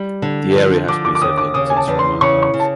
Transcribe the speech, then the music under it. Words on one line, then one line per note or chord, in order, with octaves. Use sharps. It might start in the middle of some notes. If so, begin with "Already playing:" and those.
The area has been settled since Roman times.
Already playing: G3
D3
F3
D3 D6
D6
D6
D#2 D#6
D6
C#3 D#6
G#5
A5
E2
C6
C#3 C#6
C#6
C#3
A5